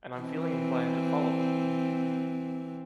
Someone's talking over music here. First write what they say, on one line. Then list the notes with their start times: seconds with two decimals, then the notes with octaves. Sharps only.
And I’m feeling inclined to follow them.
0.17 E3 C4